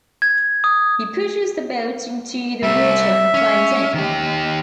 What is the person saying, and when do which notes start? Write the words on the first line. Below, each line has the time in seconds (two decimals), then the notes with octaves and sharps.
He pushes the boat into the water and climbs in.
0.22 G#6
0.64 D#6
2.63 G3 C4 E5
3.34 C#4
3.94 D#3 G4